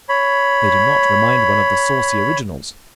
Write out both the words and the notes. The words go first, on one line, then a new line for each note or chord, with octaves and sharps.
They do not remind one of the saucy originals.
C#5 B5